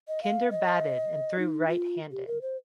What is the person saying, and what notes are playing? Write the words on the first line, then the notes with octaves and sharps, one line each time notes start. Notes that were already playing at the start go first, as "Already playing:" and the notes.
Kinder batted and threw right-handed.
D#5
F5
D#5
D#4
F4
G4
A#4
C5